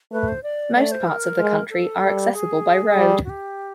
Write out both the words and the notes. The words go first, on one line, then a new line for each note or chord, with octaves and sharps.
Most parts of the country are accessible by road.
A3 B4
C5
D5
A3 D5
C5
A#4
G#3
A4
G3
G#4
G3
F#4
G4